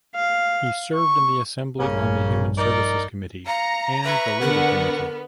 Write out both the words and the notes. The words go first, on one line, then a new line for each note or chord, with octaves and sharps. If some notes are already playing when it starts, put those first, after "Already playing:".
He served in the Assembly on the Human Services Committee and the Labor Committee.
F5
C#6
A#1 G2 A#2 C#3 A#3 C#4
D#4 A#4 D5
F5 A#5 C#7
B4 E5 C#6
D3 B3 A#4 F#5